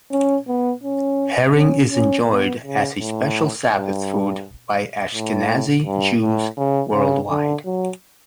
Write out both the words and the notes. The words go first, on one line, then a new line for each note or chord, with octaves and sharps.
Herring is enjoyed as a special Sabbath food by Ashkenazi Jews worldwide.
C#4
B3
C#4
C#4
C#4
B3
C#3
A2
G2
A2
G2
A2
C#3
C#3
D3
F#3